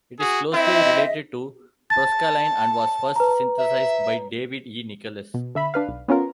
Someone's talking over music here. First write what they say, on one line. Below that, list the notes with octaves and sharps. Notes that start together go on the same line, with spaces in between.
It is closely related to proscaline and was first synthesized by David E. Nichols.
F#4 G#4
C4 E4 D#5 E5
A5 A6
B4 A#5
E5
B2
D3 E5 B5
D4 B4 F5
B1
B3 C#4 F4 A#4